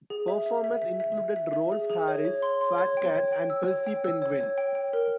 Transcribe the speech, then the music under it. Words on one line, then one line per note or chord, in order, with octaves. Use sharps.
Performers included Rolf Harris, Fat Cat and Percy Penguin.
G#4
E5
E5
E5
E5
E5
E5
E5
E5
G#4
G#4
C#5
C#5
C6
C6
C#5
G5
C#5
G5
E6
C#5
G5
E6
C#5
C#5
G5
G5
A#4